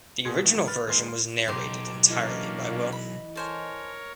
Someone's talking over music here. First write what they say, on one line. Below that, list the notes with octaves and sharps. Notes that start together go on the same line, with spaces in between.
The original version was narrated entirely by Will.
B2 G#4 C6 G#6 C#7
B2 D#3 E3
B4 B5 F6 A6
D#2 G#3 D#4 B4 C6 C7
C6
B1 F#2 D#4 G4 C6 D6
E3 A#3 C#4 D4 E4 D#5
B5
A4 A#4 C5 C#5 G#5